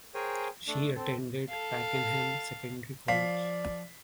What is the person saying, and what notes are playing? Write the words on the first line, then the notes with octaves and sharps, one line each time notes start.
She attended Pakenham Secondary College.
G#4 A#4 C5 C#5 G5 G#5
A3 D4
C4 A4
A4 F5
F3 D5 F5 B6 C7